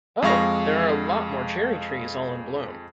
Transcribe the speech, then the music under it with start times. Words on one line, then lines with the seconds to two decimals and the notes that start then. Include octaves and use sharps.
Oh, there are a lot more cherry-trees all in bloom!
0.22 F2 G#3 F5 C#6 A#6